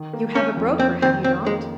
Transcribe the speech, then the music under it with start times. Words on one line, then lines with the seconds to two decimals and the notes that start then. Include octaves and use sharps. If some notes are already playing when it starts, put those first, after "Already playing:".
"You have a broker, have you not?"
Already playing: D#3
0.13 A#3
0.35 A#3 C#4
0.57 F2
0.80 C4 C#4
1.02 D#3 C4
1.24 C4 C#4
1.46 G#3 A#3